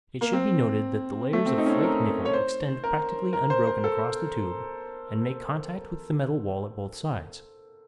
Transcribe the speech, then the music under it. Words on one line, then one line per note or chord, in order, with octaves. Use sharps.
It should be noted that the layers of flake nickel extend practically unbroken across the tube and make contact with the metal wall at both sides.
A#3
C4
A3
C4
D#4
C#4
C4
A4
A#4
C#5
C5
A#4
A#4
C5
C5
A4